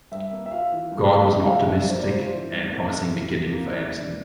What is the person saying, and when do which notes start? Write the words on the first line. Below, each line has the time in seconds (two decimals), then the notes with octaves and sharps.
God was an optimistic and promising beginning for Andersen.
0.12 G2 E5
0.31 A#3
0.46 E5
0.51 F4 F5
0.72 E3
0.92 G2
1.12 A#3
1.32 F4 E5
1.43 F5
1.52 E3 E5
1.72 G2 E5
1.81 D5
1.90 A#3 C5
1.99 D5
2.12 F4 C5
2.32 E3
2.53 G2
2.73 A#3
2.93 E4
3.12 E3
3.32 F2
3.52 A#3
3.68 C5
3.72 E4 D5
3.93 E3